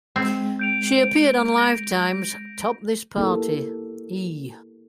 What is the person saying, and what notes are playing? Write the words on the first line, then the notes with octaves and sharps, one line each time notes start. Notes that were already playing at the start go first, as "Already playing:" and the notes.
She appeared on Lifetime's "Top This Party", E!
G#3 C4
G6 D7 F7
A#6
A#3 B3 E4 G4 A4